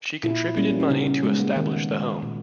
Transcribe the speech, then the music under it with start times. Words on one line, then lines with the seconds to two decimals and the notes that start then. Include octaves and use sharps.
She contributed money to establish the home.
0.23 A#2 E4
0.57 G3 A#3 C#4
0.70 B3
0.80 C#4
0.90 C#3 D#4
1.06 C#4
1.23 G#3 B3
1.40 A#3
1.56 D#3 B3
1.89 G#3
2.22 A#2 A#3